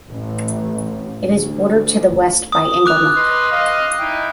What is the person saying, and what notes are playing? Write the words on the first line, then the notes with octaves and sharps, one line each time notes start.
It is bordered to the west by Inglenook.
A1
D2
D#6
D6 F#6 F7
B4 D#5 C6
D#5 F5
D#4 E4 G5